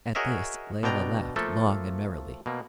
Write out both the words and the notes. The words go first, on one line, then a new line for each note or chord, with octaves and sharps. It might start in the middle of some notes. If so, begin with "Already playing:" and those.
At this Layelah laughed long and merrily.
F#4 G#4 A#4 C#5 D#5 E5
B2 D4 G5 A#5
F3 A3 A#3 A4
B2 A#3